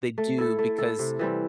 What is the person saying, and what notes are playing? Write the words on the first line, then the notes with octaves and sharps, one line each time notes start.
They do, because
A3
E4 A4
A3
E4 A4
C3
E3 G3 C4